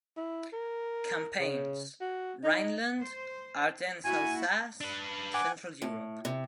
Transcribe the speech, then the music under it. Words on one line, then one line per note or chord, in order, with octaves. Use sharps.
Campaigns: Rhineland, Ardennes-Alsace, Central Europe.
E4
A#4
C#3
F#4
D#4
C5
A#3 E4 F#4 G#5
D4 B4
F#5 G#5 D6
A2
C3